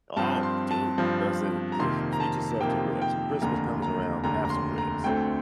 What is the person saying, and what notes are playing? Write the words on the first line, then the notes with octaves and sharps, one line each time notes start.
Oh, b dude. I said, "Just treat yourself to ribs. When Christmas comes around, have some ribs."
G2 F3 C4 A5
C6
A5
G2 F3 C4
A#5
F2 C3 D#3 A#3 C6
A#5
A5
F2 C3 D#3 A#3 G5
G5
F1 D#2 D3 A#5
A#5
F1 D#2 D3 A#5
A#5
C6
A#5
D2 D3 A3 C4 G5